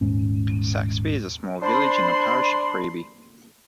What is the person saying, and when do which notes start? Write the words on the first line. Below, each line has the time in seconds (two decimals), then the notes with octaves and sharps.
Saxby is a small village in the parish of Freeby.
0.01 D#1 G#2 C#4
1.61 D4 C5 B5 C6